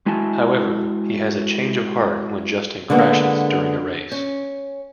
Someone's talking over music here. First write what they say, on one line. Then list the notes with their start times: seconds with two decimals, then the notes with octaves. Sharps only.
However, he has a change of heart when Justin crashes during a race.
0.06 G#3 E4 F#4 G#5 A5
2.90 D3 G#3 A#3 B3
4.12 C#4